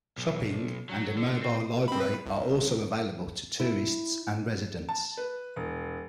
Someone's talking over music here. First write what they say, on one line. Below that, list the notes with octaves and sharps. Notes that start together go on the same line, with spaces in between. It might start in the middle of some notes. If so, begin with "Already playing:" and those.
Shopping and a mobile library are also available to tourists and residents.
B1
F#3
D3
C4
C4 B5
B4
C2
E4
A5
B4
E1